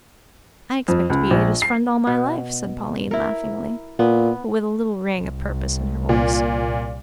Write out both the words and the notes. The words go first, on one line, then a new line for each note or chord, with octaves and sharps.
"I expect to be Ada's friend all my life," said Pauline laughingly, but with a little ring of purpose in her voice.
F2
C#2
A#1
C7
B2
E4 A#4
A#2 B3
C2
A#2